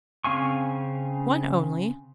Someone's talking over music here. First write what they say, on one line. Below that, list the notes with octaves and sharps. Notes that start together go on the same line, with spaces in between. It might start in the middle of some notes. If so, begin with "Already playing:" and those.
"One only?"
C#3 C4 F5 G#5 C#6